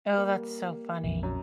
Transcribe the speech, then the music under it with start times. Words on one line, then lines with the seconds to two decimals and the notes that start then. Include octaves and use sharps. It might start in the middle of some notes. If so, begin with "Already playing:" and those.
Oh, that's so funny.
0.13 G3 A#3
1.04 A#1 F2
1.23 F#2